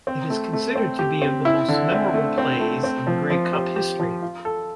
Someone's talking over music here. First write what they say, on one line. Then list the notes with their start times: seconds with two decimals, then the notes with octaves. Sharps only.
It is considered to be of the most memorable plays in Grey Cup history.
0.07 C4
0.30 A3
0.53 A3
0.76 C4
0.99 G4
1.22 C4
1.45 E4
1.68 D3
1.92 C4
2.14 A3
2.38 C4
2.60 A3
2.84 C4
3.07 F3
3.30 F3
3.53 G4
3.76 G4
4.00 F3
4.22 F4
4.45 A4